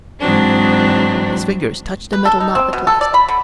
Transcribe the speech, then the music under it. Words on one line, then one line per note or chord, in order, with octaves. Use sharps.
His fingers touched the metal knob at last.
G#2 E3 F#3 C4 D4
B4
A4
D#4
C4
B2
A4
D5
B5
D3